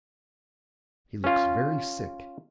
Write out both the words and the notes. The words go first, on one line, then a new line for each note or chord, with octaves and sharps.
He looks very sick.
C#4 F4